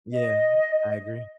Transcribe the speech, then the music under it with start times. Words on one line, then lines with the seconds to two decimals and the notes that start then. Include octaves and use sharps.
Yeah, I agree.
0.12 D#5